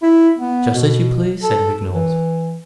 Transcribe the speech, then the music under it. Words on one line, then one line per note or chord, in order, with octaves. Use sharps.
"Just as you please," said Vignolles.
E4
B3
B2
A4
E3